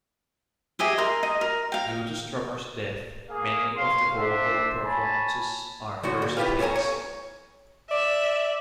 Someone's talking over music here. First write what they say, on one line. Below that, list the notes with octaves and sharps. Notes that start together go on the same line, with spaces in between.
Due to Strummer's death, many of the vocal performances are first takes.
G4 G#4 D#5 E5
A#4 C6
D#5
A#4
F5 G5
A#3 G#4 F5
C#5 F5 C6
D4 C5 E5
C#5 G#5 A5 B5
D2 A2 F#4
A#2
E4 F4 G4 B4 F5
A4 C#5 E5 G#5 A#5
C#5
D5 E5